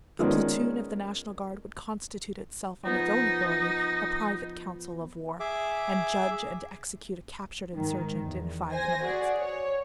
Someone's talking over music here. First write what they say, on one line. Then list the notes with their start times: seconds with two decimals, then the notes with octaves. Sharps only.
A platoon of the National Guard would constitute itself on its own authority a private council of war, and judge and execute a captured insurgent in five minutes.
0.19 D#3 F3 G#3 B3 C#4 D4
2.85 F3 B3 D#4
5.40 G#4 E5 D6
7.75 G#2 D#3
8.25 E2
8.71 C5 G#5 A#6
9.03 F#4 G#4 D5
9.38 C#5